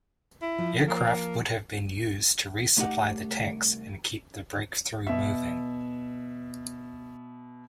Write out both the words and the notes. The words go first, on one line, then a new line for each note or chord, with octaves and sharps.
Aircraft would have been used to resupply the tanks and keep the breakthrough moving.
E4
F3
A#3
C2 A3 D#4 G4 F#5
B2 E5